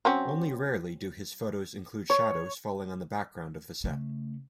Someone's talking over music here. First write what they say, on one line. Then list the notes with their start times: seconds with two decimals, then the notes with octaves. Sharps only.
Only rarely do his photos include shadows falling on the background of the set.
0.05 F#3 C4 C#4
2.10 C#5
3.84 C#3 A3